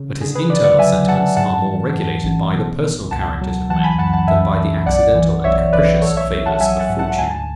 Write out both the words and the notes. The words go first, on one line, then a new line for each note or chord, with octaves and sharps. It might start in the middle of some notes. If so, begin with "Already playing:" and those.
But his internal sentiments are more regulated by the personal characters of men, than by the accidental and capricious favours of fortune.
Already playing: C#3
D3 G#4
G#4 B4
D3 B4 D5
D5 F#5
F#3 E5 G#5
F#3 F#5 A5
G#2 F#5 A5
E3
G#2
A1
B2
B2
C#2 F#5 A5
F#3
E3 F#5 A5
G#5 B5
F#2 F#5 A5
F#5 A5
F#2 E5 G#5
F#2
B1 D5 F#5
E3
B1 C#5 E5
B1 B4 D5
A1 A4 C#5
C#5 E5
A1
F#5 A5
F#3 E5 G#5
F#5 A5
G#2
F#5 A5
D2 G#5
A5